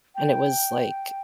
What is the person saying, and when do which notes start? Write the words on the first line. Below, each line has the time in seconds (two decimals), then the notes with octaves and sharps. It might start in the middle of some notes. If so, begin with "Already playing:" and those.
and it was like,
0.15 G5